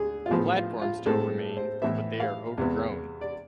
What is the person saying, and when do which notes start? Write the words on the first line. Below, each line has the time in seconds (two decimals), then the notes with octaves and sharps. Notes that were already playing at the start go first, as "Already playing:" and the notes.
The platforms still remain but they are overgrown.
Already playing: D2 G#4
0.26 F4
0.31 A2 F3 B3 G#4
0.56 F4
0.82 F4
1.06 A2 G#3 C4 A4
1.57 C5
1.82 A2 E3 B3 E5
2.20 F5
2.58 E2 C3 G#3 B3
3.21 D5